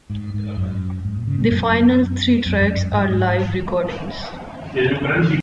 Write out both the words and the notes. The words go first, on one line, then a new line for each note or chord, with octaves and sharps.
The final three tracks are live recordings.
G#2
G#2
F#2
G#2
A#2
C#3
A#2
F#2
F#2
F#2
F#2
G#2